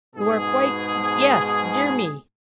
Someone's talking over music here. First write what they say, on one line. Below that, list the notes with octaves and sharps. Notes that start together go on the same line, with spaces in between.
You are quite--yes--dear me!'
G#2 B2 G#4